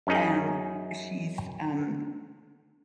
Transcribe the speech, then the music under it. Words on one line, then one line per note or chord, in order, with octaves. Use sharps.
and she's, um,
F#2 C#4 D#4 G#4